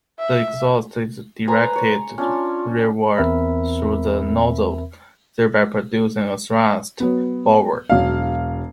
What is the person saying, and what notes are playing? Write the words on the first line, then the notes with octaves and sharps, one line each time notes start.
The exhaust is directed rearward through the nozzle, thereby producing a thrust forward.
E5
B4 C5 G#5 A#5
C#5
C#4 D4 F4 G#5
E2 C4 A#4 E5 B5
F#3 B3
E1 F#3 F5